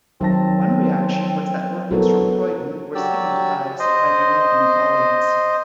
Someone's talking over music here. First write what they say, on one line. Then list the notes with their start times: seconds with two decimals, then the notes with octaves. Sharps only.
One reaction was that workers from Croydon were stigmatised by their London colleagues.
0.21 D#3 F#3 C4 A5 A#6
1.91 F#3 B3 E4 F#4 A4 A#4
2.95 F#3 G4 D5 E6
3.79 C5 D#5